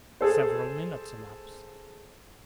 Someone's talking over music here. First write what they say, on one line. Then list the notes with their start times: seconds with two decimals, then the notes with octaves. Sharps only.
Several minutes elapsed.
0.21 G#4 A4 C5